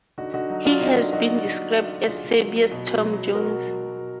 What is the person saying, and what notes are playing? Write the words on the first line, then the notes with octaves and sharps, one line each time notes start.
He has been described as "Serbia's Tom Jones".
D3 D#4 F#4
D3 D#4 F#4
F#3 D#4
F#3 D4 F4
D3 D#4
D3
F#3 D#4 F#4
F#3
D3
D3
F#3
F#3
D3 F4 G#4
D3
F#3
F#3
B2
B2
F#3
F#3
B2 F#4 A#4
B2
F#3
F#3
B2